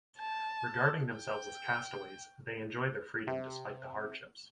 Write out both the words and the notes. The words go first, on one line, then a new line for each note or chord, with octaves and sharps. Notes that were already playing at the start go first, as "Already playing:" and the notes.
Regarding themselves as castaways, they enjoy their freedom despite the hardships.
A5
G5
C3